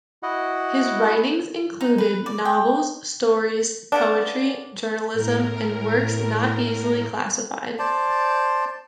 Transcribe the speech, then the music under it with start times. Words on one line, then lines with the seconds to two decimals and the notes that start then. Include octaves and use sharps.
His writings included novels, stories, poetry, journalism, and works not easily classified.
0.23 E4 F#4 D#5 F#5
1.81 D#4
1.98 B4
2.26 D5
2.45 G5
3.92 C#3 B3 D4
5.13 A2 A#4
7.79 C5 D5 A5